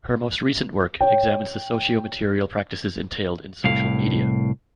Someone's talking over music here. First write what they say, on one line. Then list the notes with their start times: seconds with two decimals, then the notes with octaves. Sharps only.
Her most recent work examines the sociomaterial practices entailed in social media.
1.01 C#5 G5
3.64 C2 A2 F5